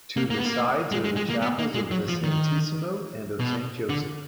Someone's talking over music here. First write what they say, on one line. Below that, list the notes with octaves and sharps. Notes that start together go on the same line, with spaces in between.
To the sides are the chapels of the Santisimo and of Saint Joseph.
A#3
A#3
B3
A#3
G#3
G#3
G#3
A#3
B3
A#3
G#3
F#3
F3
D#3
B2
D3